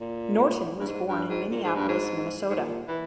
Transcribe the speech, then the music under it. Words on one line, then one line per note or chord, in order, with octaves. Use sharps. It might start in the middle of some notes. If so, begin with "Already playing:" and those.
Norton was born in Minneapolis, Minnesota.
A#2
G2
G#2
G2
G#2
A#2
G#2
G2
G#2
G#2
A#2
E3